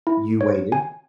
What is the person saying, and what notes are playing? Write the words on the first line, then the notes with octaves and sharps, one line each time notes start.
You waited.
E4
C#5
G#5